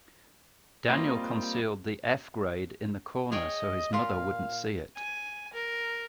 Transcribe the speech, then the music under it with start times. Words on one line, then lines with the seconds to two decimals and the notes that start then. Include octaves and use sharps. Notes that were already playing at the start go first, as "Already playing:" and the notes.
Daniel concealed the F grade in the corner so his mother wouldn't see it.
0.90 G3 A#3 C4 D4 F4 D#5
3.32 G#4 C#5 D#5 G5
3.93 A#2 F4 F5
4.97 G#5
5.54 A#4